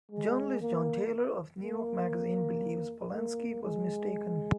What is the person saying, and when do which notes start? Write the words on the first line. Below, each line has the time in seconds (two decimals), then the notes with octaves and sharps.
Journalist John Taylor of New York Magazine believes Polanski was mistaken.
0.12 G#3
0.62 A#3
1.63 A#3
3.14 A#3
3.64 G#3